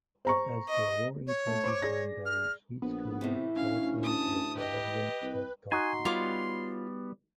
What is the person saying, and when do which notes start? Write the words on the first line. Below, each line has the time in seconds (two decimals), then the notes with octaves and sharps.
As the Roaring Twenties wound down, Sweet's career faltered with the advent of talkies.
0.25 C5 A#5 C#6
0.69 D#5
1.27 C#5
1.47 A3
1.64 C5 C#6 D6
1.82 G#4 D5 A#6
2.26 F6
2.82 A#1 B3
3.21 A2 C3 E3 A3
3.56 D2 C#4 F5
4.03 A5 D#6
4.56 G4 B4 D#5
5.22 C2
5.72 D#4 F#4 G#5 C6
6.05 G3 B3 F4 C#5 D6